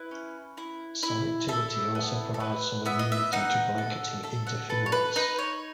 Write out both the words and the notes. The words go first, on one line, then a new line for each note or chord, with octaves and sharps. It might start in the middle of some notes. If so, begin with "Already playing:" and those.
Selectivity also provides some immunity to blanketing interference.
Already playing: E4 B4
C#4
E4
E4
E4 A4
B3
A4
B3 B4
B3 E5
D#5
E5
D#4 F#5
A4
A4 E5
F#5
A4 B4
C#5
B4
D#4 B4
C#5